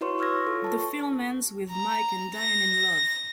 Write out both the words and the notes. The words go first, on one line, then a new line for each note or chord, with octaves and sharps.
The film ends with Mike and Diane in love.
E4 F#4 B4 C#5 C6 C#6
C6 C#6 E6 F6 G#6 A#6
F4 A4
A5 C#6
A#5
A#6